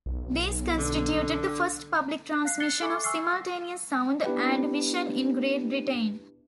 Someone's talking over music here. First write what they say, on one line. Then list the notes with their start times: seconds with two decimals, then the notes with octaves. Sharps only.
These constituted the first public transmission of simultaneous sound and vision in Great Britain.
0.06 B1
0.78 D3
2.45 F5 F#6 C7
2.60 F#6 A6 C7 C#7 G7
2.82 A4 E5 G#5 C#6 D6
3.04 G#5 C#6 E6 F6 C7
4.25 B3 D4 E4 G4 B4